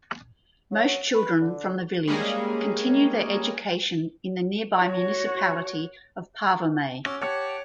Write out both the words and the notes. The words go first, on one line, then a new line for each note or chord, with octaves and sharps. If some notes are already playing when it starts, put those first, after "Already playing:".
Most children from the village continue their education in the nearby Municipality of Parvomay.
F#3
B4
D3
G3 G#3 A#3 C#4 G#4
F#4 C#5
C#4 F#4 D6 E6
G4 C#5 F#5 A5